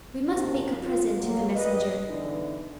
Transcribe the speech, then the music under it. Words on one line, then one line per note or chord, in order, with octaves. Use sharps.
"We must make a present to the messenger."
A#2 D#3 F3 A#3 C4 G4
F4
F#3 A#3
G2 B4 D#5
E2 D3 E3 D4 D#4